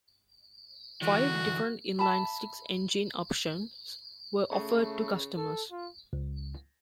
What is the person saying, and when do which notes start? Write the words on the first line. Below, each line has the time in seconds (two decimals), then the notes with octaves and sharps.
Five different inline six engine options were offered to customers.
1.02 D3 E3 F#4
1.99 E5 A5 B5
4.52 C#3 A3
5.37 A4
5.71 F4
6.13 C#2